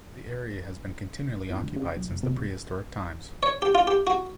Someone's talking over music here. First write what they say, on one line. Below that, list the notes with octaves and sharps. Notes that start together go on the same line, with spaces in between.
The area has been continually occupied since the prehistoric times.
F2
D2
C#3
B1
F#1
C3
C2
C#5
G4
F4
G4
F#4